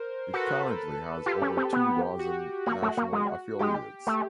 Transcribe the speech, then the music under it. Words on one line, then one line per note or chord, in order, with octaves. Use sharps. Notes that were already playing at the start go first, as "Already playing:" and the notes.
It currently has over two dozen national affiliates.
Already playing: A#4 C5
F#4 A4 B4
F4 G4
C#4
C4
B3
F#4
A#3 F#4
A3
A#3
G#3
G#3 G4
A3